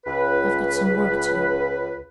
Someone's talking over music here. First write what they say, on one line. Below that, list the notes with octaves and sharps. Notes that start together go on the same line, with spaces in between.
I've got some work to do.
C#2 B4